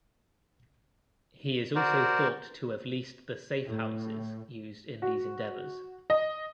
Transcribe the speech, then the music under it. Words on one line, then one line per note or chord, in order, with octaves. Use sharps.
He is also thought to have leased the safehouses used in these endeavors.
F#4 A#4 C5 D5
A2
F#4
D#5